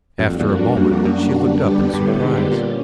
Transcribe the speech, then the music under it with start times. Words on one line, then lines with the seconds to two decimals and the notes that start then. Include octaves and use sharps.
After a moment she looked up in surprise.
0.19 F#2 G3 A#3 D4 F#4
0.29 F2
0.40 E2
0.49 F2
0.77 F#2
0.92 F2
1.05 F#2
1.36 D3 G3 B3 D4 G4
1.94 G2
2.08 A2
2.22 G#2
2.37 G#2
2.51 A#2 C#4